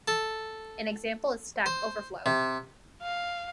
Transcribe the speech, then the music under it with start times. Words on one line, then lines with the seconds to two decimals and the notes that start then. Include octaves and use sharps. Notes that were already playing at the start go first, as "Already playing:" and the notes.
An example is Stack Overflow.
0.08 A4
1.66 C5
2.26 C3
3.03 F5